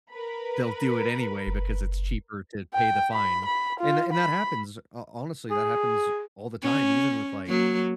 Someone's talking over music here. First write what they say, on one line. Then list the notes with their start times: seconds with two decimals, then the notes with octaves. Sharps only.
They'll do it anyway because it's cheaper to pay the fine, and th and that happens. Ho honestly, that happens all the time even with, like,
0.11 A#4 B4 B5
1.47 F#1
2.74 G5
3.13 B5
3.46 B5
3.80 F4
4.13 B5
5.50 G#4
6.63 C#4
7.47 F#3 A#3